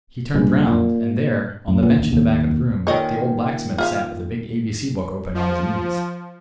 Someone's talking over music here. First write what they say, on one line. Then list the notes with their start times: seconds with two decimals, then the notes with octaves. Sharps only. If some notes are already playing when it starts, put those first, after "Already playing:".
He turned round, and there, on the bench in the back of the room, the old blacksmith sat with a big ABC book open on his knees.
0.34 A#1 G2 G#3
0.67 A#2
1.68 F#2
1.83 A#2 B3
1.98 D#2
2.13 D#2
2.87 A#2 D#3 C#5 D#5
3.78 F4 E5 F5
5.34 F3